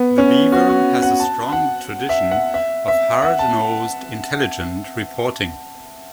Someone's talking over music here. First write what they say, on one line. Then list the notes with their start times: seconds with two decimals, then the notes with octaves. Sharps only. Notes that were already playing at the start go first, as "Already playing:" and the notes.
"The Beaver" has a strong tradition of hard-nosed, intelligent reporting.
Already playing: B3
0.18 C#4
0.52 F#4
0.69 F#4
1.02 F#5
1.20 A5
1.52 F#5
2.09 E5
2.31 F#5
2.54 E5
2.88 E5
3.22 F#5
3.39 A5